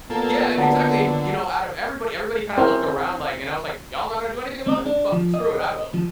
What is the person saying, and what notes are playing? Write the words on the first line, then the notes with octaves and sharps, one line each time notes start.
yeah, and exactly, and, you know, out of everybody everybody kind of looked around, like and I was like, "Y'all not gonna do anything about it? Fuck screw it, I will,"
A#2 A#3 B3 A4
D3 F#3 D#5 A5
C4 C#4 E4 A#4 C5
C4
D4
F3
D#5
F3